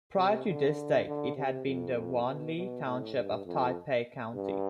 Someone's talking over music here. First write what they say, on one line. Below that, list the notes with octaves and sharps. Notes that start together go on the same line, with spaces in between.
Prior to this date it had been the Wanli Township of Taipei County.
C3
D3
D3
C3
F2
B2
B2
A2
G2
F2
G2